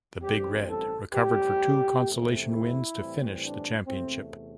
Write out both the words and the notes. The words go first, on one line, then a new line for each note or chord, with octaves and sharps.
The Big Red recovered for two consolation wins to finish the championship.
A1 G2 G3 C4 G4
A4
A2 G3 C4 G4
E2 C3 A3
E4
A2 E3 G3 C4
D4
E2 C3 A3 C4